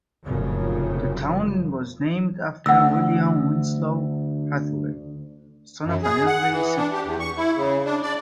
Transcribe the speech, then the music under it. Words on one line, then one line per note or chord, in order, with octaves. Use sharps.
The town was named after William Winslow Hathaway, son of an early settler.
F1 F#2 A#2 C#3
D2 F#5 E6
F#2
G#4
F#5
E3
D4
G4
E2
C#6
E4
C#3
D4
D5